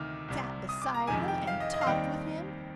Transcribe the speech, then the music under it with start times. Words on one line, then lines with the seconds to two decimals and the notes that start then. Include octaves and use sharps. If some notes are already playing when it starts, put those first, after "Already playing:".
Sat beside him and talked with him!
Already playing: D2 C3 D#3 D6 F6
0.28 C2 C3 G3
0.69 D#6
0.82 D6
0.94 A#5
1.07 F2 C3 D#3 G#3 G#5
1.28 G5
1.47 F5
1.60 D#5
1.73 D#5
1.81 F5
1.86 D#2 D#3 G3 C4 D#4 G5